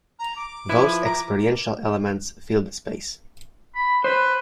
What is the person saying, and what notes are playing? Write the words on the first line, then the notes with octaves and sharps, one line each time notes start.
Those experiential elements fill the space.
A#5
D6
F3 E4 B4
A#5 D6
B5
B4 C5